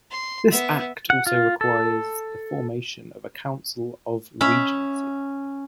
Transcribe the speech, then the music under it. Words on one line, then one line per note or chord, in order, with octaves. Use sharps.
This Act also required the formation of a Council of Regency.
C6
B3 E5
F#5
F4
A4
C#4 E5 B5